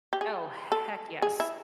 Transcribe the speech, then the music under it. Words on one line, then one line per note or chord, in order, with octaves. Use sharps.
Oh, heck yes.
G4
G#4
A4
G#4
E4